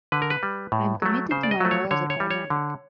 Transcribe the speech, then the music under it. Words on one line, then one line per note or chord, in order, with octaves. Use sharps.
I am committed to my role as a paramedic.
D3 B4
A#4
B4
G3
A2
F#3 A3
C#3 C5
D5
D#5
F#3 A3
C#5
D3 C#5
C#5
G3
C#5
D3